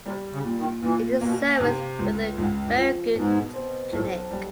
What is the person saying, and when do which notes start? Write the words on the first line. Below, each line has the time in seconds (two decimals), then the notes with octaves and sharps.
It is serviced with a very good clinic.
0.05 C3 G3
0.31 C#3
0.44 A#2
0.57 D#3
0.82 A#2 E3
1.21 B2 A#3
1.60 G#2 C3
1.99 C#2
2.38 C#2 G#2
2.63 G2
2.76 F3
3.15 G#2 B2
3.54 C4
3.93 B1 A2
4.31 G3